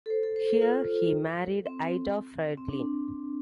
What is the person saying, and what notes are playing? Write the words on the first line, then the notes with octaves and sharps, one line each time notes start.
Here he married Ida Friedlin.
A4
C5
A4
C5
A4
F4
C4
C4
D4